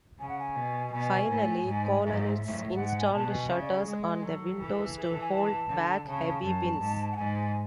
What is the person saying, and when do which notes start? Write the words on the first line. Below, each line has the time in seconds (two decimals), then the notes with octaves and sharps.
Finally, colonists installed shutters on the windows to hold back heavy winds.
0.19 C#3 G#5
0.29 F#5
0.39 G#5
0.56 B2
0.92 B2 G#5
1.29 A2
1.66 G#2
2.02 G#2 E5
2.38 A2
2.75 G#2 F#5
2.88 F#5
3.00 G#5
3.13 B2 A5
3.31 G#5
3.49 C#3 E5
3.61 D5
3.74 G#4
3.86 G#3
4.23 F#3 A4
4.60 E3
4.96 G#4
5.04 B4
5.09 A4
5.21 G#5
5.33 A5
5.69 D3
6.06 C#3 A5
6.24 A5
6.42 F#2 A5
6.80 G#2
7.12 F#5
7.16 G#2 G#5